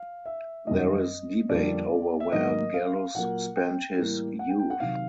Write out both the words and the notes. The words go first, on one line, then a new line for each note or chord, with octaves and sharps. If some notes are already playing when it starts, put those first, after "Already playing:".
There is debate over where Gallus spent his youth.
Already playing: F5
E5
F#2 D#3 G3 D#5
F2 D3 G3 A#3 D5
E5
G#2 D#3 F#3 A#3 D#5
F5
A#2 F#3 A#3 F#5
G5
A2 E3 G3 A#3
F#5
G5
G5
F#5
C3 D#3 F#3 F5